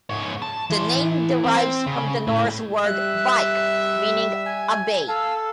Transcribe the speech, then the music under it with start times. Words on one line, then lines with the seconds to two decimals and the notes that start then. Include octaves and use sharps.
The name derives from the Norse word "Vik" meaning 'a bay'.
0.10 G#2 C#5
0.42 A5
0.70 E3 C6
1.44 C4
1.87 C#3
2.27 A2
2.86 G3 E5 F#6
4.45 G#5
5.08 A4 F5 E6